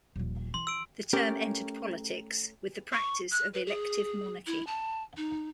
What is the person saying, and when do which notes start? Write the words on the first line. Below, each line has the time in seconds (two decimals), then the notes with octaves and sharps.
The term entered politics with the practice of elective monarchy.
0.16 D#1 F3
0.54 E3 C6
0.67 E6 D7
1.13 A3 C#4 G4 A#4
2.92 C#6
3.31 F#6
3.54 B4
3.67 G#4
4.47 E4
4.67 A5
5.17 D#4